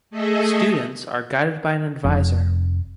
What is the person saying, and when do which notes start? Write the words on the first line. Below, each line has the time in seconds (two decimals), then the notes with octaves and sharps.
Students are guided by an advisor.
0.10 A3 G#4 A4 D#5 E5
2.04 F1